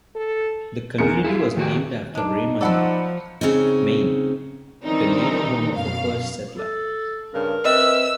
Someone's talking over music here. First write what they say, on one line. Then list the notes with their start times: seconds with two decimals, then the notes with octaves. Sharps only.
The community was named after Raymond, Maine, the native home of a first settler.
0.15 A4
0.98 E2 A#4 C#7
1.24 E4 F4 G#4
1.57 D#3 F#4 G4
2.15 G#3 D4 D#4
2.61 F3 C4 F#4 A4 D5 F#5 B5
3.41 C#3 C4 C#4 D#4
4.84 D#3 E3 G3 C4 D4 D#4
5.74 F#2 B2 F5
6.57 A4
7.34 G2 C#3 A#4
7.65 C4 B4 D#5 E5 E6